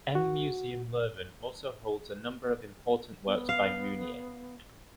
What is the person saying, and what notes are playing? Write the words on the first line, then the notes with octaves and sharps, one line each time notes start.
M - Museum Leuven also holds a number of important works by Meunier.
F#4
B3
F5